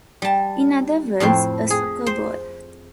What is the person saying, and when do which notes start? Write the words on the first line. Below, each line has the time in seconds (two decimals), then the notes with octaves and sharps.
In other words, a soccer ball.
0.22 G3 A5
1.20 F2 A2 C4 C5
1.70 G#4
2.06 C5